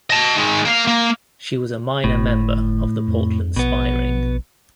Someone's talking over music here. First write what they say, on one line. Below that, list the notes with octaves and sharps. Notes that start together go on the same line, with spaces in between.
She was a minor member of the Portland Spy Ring.
D#5 A5
D#3 G#3
A#3 F5
A#3
G1 A2
F2
A#1 B2 B3